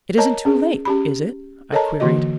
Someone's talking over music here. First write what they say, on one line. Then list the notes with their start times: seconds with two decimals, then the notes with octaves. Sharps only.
"It isn't too late, is it?" I queried.
0.18 A#4 C#5 D#5 A5 A#5
0.45 C#4 G#4
0.85 C#4 G4 B5
1.72 A4 A#4 C#5 D#5 A5 A#5
2.00 D3 E3 A#3 F#4 D#5